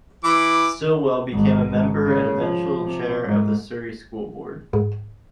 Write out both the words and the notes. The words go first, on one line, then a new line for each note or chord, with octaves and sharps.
Stilwell became a member and eventual chair of the Surrey School Board.
E3 D6
G#1
G#1
C#3
F3
C3
G#2
G#2